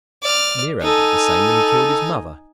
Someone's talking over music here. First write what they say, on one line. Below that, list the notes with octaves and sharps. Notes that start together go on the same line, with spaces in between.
Nero did the same when he killed his mother.
D5 F6
D#4 A4 G#5